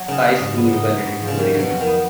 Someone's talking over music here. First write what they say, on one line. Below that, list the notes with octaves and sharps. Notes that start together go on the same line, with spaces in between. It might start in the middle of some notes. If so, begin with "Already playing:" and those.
High School Valedictorian.
Already playing: F#3
C#3 D#4
D#4
G#2
B3
D#4
B3
G#2
F3
C#3
F2 D#3
F#3
B2
F2
D#3
B3